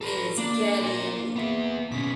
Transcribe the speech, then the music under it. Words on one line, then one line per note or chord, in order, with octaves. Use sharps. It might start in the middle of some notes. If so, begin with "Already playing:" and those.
is getting
A4 B4
A#3 D4
A#4 D5
B3 E5
B2 C#4 B6